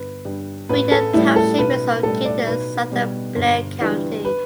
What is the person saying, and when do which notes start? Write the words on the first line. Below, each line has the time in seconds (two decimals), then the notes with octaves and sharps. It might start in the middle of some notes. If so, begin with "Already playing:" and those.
Freedom Township is located in southern Blair County.
Already playing: G1 B4
0.25 G2 G3
0.69 A1 B4
0.91 A4
1.13 A2 G3 E4
1.36 A4
1.58 B1 B4
2.03 A2 G3 A4
2.25 D5
2.47 B1 B4
2.91 B2 G3
3.36 G1
3.81 G2 E3 G3
4.25 B4